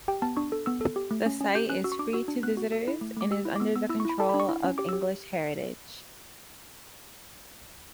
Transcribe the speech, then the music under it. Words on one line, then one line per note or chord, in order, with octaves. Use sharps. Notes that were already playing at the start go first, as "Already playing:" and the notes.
The site is free to visitors and is under the control of English Heritage.
G4 G5
B3 A5
D4 C#6
A4
B3 E6
A4
G4
A3
C#4
C#4
G4 G6
C#4 F#6
F#4 E6
C#6
D4 D6
F#4 E6
D4
B3 F#6
F#4
A4
E4
A3
A3 D6
G4 E6
E4
D6
B3 E6
B3 E6
E4 E6
C#6
E4 B5
A4 A5
D4 B5
C#6
E4
C#4
G4 D6
G4 E6